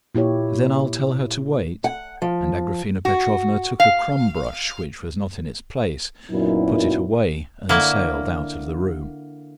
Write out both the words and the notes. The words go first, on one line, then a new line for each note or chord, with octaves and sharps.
"Then I'll tell her to wait?" and Agraphena Petrovna took a crumb brush which was not in its place, put it away, and sailed out of the room.
A#2 E4 G4 C#5
F#5
F3
F#4
F5
F#2 A#2 F#3 B3 D#4 E4
D3 A#3 E4 C#5